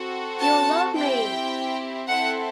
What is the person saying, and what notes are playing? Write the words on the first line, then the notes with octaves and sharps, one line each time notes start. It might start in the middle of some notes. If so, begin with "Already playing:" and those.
You love me.
Already playing: C4 F#4 A4
A5
C4 E4 G4 G5
C4 E4 A4 F#5